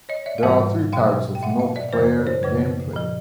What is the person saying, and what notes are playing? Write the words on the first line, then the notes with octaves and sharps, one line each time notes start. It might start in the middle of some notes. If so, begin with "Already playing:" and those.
There are three types of multiplayer gameplay.
C#5 D#5
D5 E5
F5
G#2 E3 G3 E5 F#5
B2 F#3 F5 G5
G5
B2 F#3 E5 F#5
D#5 F5
D5 E5
F#2 C#3 F3 A#4 C5
C#5
C5 D5
F#2 C#3 F3 B4 C#5
A#2 F3